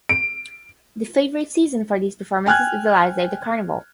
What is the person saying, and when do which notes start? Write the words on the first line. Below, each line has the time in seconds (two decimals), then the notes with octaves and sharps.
The favorite season for these performances is the last day of the Carnival.
0.09 D7
2.46 G5 G#5 F6 F#6 G#6